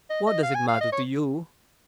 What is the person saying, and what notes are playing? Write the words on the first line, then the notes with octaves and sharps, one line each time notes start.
"What does it matter to you?"
D#5
D#5
F5
G#5
F5
D#5
C#5